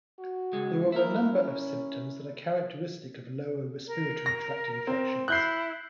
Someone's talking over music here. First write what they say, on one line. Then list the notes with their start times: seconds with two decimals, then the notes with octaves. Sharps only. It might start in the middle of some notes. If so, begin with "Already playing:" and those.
There are a number of symptoms that are characteristic of lower respiratory tract infections.
0.19 F#4
0.53 C#2 G#3
0.92 A#3 E4 A#4
1.32 C#4
3.87 A#4
4.26 A#6
4.87 C4
5.28 E4 F#6 G6 C7